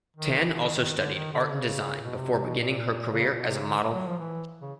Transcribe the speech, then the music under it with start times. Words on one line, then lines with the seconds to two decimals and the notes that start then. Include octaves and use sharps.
Tan also studied art and design before beginning her career as a model.
0.17 D#3
0.43 E3
0.60 D3
0.71 D#3
0.97 D3
1.14 D#3
1.33 D3
1.51 C#3
2.04 B2
2.18 C3
2.31 C3
2.45 B2
2.58 A#2
3.11 C#3
3.34 A#2
3.41 B2
3.49 C3
3.58 C#3
3.66 D3
3.93 F#3
4.07 F3
4.19 E3
4.62 C#3